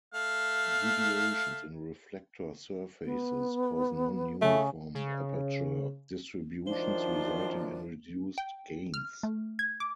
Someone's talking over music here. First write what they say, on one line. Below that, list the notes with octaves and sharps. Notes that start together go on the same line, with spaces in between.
Deviations in reflector surfaces cause non-uniform aperture distributions, resulting in reduced gains.
A3 F5
B3
C#3 A3
C#3
F#2 D#3 F3 D4 C5
G5
F6
A3
G#6
D6